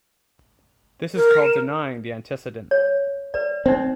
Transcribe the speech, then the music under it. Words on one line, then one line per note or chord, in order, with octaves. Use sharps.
This is called denying the antecedent.
A#4
C#5
B4 D5
C4 D#4 C5